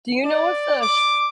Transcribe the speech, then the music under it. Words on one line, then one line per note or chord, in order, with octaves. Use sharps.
Do you know if the sh
D5
D6